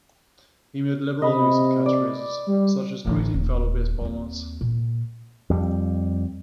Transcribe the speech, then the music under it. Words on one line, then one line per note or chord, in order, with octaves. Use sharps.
He made liberal use of catchphrases, such as Greetings fellow baseball nuts!
C3 D#5 B5
D5
G3
A1 D3
D#1
D#2 C4
A#2
F2 G3